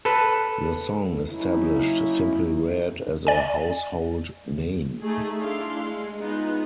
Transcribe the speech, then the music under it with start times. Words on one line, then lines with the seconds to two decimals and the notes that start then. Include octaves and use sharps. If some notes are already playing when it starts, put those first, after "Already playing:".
The song established Simply Red as a household name.
0.05 A4 B4
1.31 F#3 A#3 C#4 D#4 E4
3.27 D5 G#5
5.02 A3 D#4 G#4
5.40 D4 E4 F5 C6
5.86 G#3
6.18 G#3 B3 D#4 F4